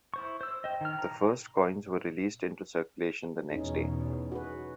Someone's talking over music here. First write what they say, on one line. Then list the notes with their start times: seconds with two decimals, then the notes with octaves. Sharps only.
The first coins were released into circulation the next day.
0.14 E4 C5 C#6
0.41 C5 E6
0.64 C5 D#5 G5
0.81 D#3 F6
0.99 A5 A#5
3.50 E2 B2 C#4 D#4 G#4
4.32 F#4 G#4 B4